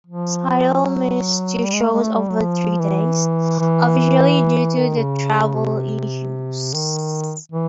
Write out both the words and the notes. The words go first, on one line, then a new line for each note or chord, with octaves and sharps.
Sydal missed two shows over three days, officially due to "travel issues".
F3
F#3
G3
G#3
A3
G#3
A3
G3
F#3
F3
E3
E3
D#3
C#3
C3
D#3
E3